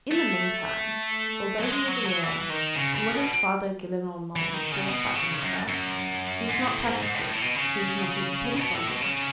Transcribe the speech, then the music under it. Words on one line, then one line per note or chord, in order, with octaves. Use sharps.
In the meantime, although he was a lawyer, and whatever Father Gillenormand thought about the matter, he was not practising, he was not even pettifogging.
A3
F#3
G#3
F#3
F#3
E3
D#3
C#3
C#3
B2
E3
D#3
C#3
B2
C#3
F#2
F#2
G#2
A2
G#2
G#2
A2
A2
B2
C#3
C#3
B2
A2
B2
C#3